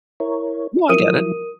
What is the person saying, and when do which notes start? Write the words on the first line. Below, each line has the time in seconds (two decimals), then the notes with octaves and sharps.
No, I get it.
0.20 E4 A#4 C#5
0.89 F3 F#3 E4 A#4 D#6 D#7